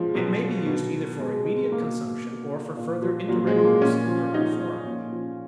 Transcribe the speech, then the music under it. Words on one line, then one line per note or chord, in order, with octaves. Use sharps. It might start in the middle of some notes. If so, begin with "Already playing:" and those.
It may be used either for immediate consumption or for further indirect use in durable form.
Already playing: B2 F3 G#3
B2 F#3
B2
B2 G#3
G#3
B2 A#3
B2
A#2
F3
A#2 F#3
G#3
F3
A#3
A#2 C#4
F3
A#2 D#4
F3
A#2 C#4
F3